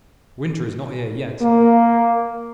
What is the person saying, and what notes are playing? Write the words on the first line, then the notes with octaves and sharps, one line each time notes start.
'Winter is not here yet.
A#3